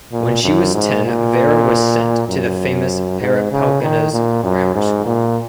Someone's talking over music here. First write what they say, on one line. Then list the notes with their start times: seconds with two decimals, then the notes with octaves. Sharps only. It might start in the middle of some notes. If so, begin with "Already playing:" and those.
When she was ten Vera was sent to the famous Perepelkina's grammar school.
0.12 A#2
0.43 F#2
0.74 G#2
1.05 A#2
2.28 F#2
3.21 G#2
3.51 C#3
3.82 D#3
4.13 A#2
4.43 F#2
4.75 G#2
5.06 A#2